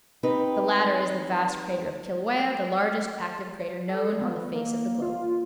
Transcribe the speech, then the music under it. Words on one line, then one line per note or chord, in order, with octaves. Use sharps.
The latter is the vast crater of Kilauea, the largest active crater known on the face of the globe.
C4 D#4 G4 B4
A4
B3
A#3
F4